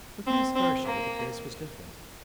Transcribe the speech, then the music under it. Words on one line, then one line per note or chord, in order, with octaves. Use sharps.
With Miss Herschel the case was different.
C4
C4
A#3